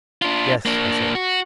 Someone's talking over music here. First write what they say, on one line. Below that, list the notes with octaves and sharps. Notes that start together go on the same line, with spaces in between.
"Yes," I said.
D4 F4
A#3 D4
F#4